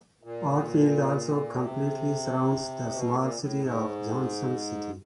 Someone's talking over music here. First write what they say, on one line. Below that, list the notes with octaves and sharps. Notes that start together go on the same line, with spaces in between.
Oatfield also completely surrounds the small city of Johnson City.
A#2
C3
B2
A2
A#2
A2
G#2